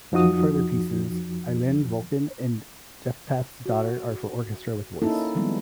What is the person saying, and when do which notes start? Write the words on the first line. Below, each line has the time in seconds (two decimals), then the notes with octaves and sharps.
Two further pieces, "Eilende Wolken" and "Jephthah's Daughter", are for orchestra with voice.
0.12 F2 F3 D#4 F#4 D#6
3.66 F#4
5.02 A#3 C#4 D#4 E4 A4
5.35 D#3 F3 G3 G#3 B3